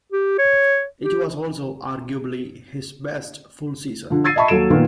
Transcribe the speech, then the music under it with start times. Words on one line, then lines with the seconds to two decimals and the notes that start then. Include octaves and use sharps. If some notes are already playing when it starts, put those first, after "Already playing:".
It was also, arguably, his best full season.
0.13 G4
0.39 C#5
1.03 G4
4.10 D3 F3
4.24 E6 G#6 A6 C7 D#7
4.36 D#5 E5 A5 B5 C#6
4.48 D#2 F#3 A4 D7 E7
4.70 A#2 D#3 F3 B3 F4